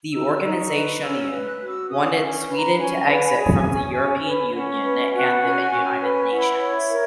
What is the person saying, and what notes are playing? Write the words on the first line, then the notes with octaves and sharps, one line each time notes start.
The organizationion wanted Sweden to exit from the European Union and the United Nations.
D#4 E6
D#4
C#6
B4
C#4 E6
E6
B4
F#6
F#4
E6
C#4 D#6
C#6
C#4
C#6
B4
A#5
C#4 G#5
B4
G#4
C#4
C#4
B4
C#4 F#5
B4
F#4
C#4 G#5
C#4
B4
E4 F#5
C#5
E5
A#4